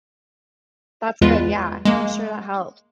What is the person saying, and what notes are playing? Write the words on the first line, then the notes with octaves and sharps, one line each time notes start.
that's good, yeah, I'm sure that helps.
E2 G#3 F4 B4
G#3 A#3